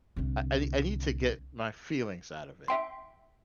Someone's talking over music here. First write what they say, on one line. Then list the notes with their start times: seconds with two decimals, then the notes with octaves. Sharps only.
I I nee I need to get my feelings out of it
0.16 C2 D3
2.68 E5 G5 C6